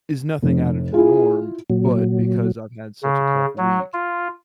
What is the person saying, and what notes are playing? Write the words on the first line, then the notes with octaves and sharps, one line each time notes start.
is nothing out of the norm, but because I've had such a tough week,
F1
E4 F4 G#4
A#2 F#3
C#3
F#3
F4